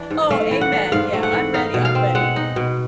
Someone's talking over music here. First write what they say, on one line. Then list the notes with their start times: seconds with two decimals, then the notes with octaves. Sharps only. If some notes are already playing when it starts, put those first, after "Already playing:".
Oh, amen. Yeah. I'm ready. I'm ready.
Already playing: E3 D4
0.11 G#2
0.30 A3 F5
0.51 E3
0.61 F#5
0.72 D4
0.92 G#2 F5
1.13 A3
1.23 F#5
1.33 E3
1.54 D#4 F5
1.74 B2
1.85 F5
1.95 C4
2.15 G#3 F#5
2.36 D#4
2.56 B2